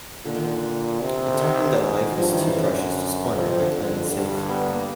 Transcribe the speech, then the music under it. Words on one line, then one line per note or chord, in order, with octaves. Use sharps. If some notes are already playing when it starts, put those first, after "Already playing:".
It taught him that life was too precious to squander by playing it safe.
A#2 D3
D#3
D3
C3
D3
D#3
G#2
F#3
G2 F3
D#3 E3
C#3
F#2 D3
F2 C3
C3
D3
F2
G2 D3
G3
B3
A#3